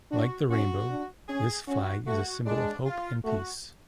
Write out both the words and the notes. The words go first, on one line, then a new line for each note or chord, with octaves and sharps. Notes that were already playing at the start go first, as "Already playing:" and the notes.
Like the rainbow, this flag is a symbol of hope and peace.
D4 F#4
C#4 F#4
D4
C#4 G#4
C#4 F#4
A3 F#4
G#3 D4
F4
A3 F#4